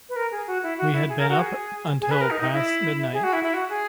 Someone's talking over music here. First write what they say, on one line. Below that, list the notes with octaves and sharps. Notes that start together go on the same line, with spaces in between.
We had been up until past midnight.
B4
A#4
G#4
F#4
E4
F#4
E4
G#4
A#4
F#4
G#4
G#4
B4
A#4
D#4
D#4
E4
G#4
F#4
E4
E4
F#4
G#4